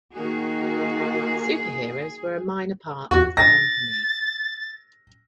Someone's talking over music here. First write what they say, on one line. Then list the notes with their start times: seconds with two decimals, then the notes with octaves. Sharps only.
Superheroes were a minor part of the company.
0.14 D#3 A#3 F#4 G#4
3.11 E2 F#4
3.37 A6 A#6